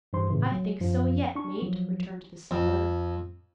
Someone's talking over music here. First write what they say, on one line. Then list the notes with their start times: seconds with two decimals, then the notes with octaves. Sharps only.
"I think so yet, mate," returned the sailor.
0.13 G2 E3 C5 C6
0.29 A2 C#3 E3
0.51 F#3
0.81 F#2 F3
1.35 D4 C#6
1.62 F3 F#3
2.51 F2